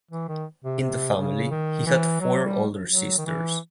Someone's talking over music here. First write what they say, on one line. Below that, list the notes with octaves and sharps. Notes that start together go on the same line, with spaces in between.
In the family he had four older sisters.
E3
D#3
C3
C3
C#3
D#3
E3
F#3
G3
F#3
D#3
E3